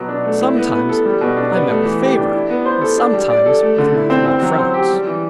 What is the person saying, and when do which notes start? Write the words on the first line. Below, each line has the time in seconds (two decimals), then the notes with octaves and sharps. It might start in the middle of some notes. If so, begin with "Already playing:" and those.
Sometimes I met with favor, and sometimes with nothing but frowns.
Already playing: B2 F#3
0.09 D4
0.25 A3
0.41 E4
0.57 B3
0.73 B3
0.89 A4
1.05 G3
1.21 B2
1.37 D4
1.53 B3
1.69 A3
1.85 E3
2.01 G4
2.17 D4
2.33 E4
2.50 B3
2.65 C5
2.82 A4
2.98 D4
3.14 G3
3.30 D5
3.46 A4
3.62 A3
3.78 D3
3.94 E4
4.10 C4
4.26 C4
4.42 F#3
4.58 C5
4.74 G4
4.90 G3
5.06 E3